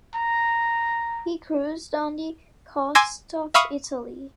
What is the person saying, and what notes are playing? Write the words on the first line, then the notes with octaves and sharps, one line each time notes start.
He cruised on the coast of Italy.
A#5
G#5 C6 D6 E6 G#6 A#6
E5 F5 B5 C#6 D#6 F6